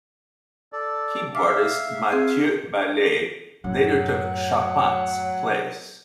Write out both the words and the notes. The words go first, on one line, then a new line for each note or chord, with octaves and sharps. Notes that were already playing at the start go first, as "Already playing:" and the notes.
Keyboardist Matthieu Ballet later took Chapat's place.
A4 D5
E5 F5 D6
C4 G#4
F#2 A2 F#3 F#5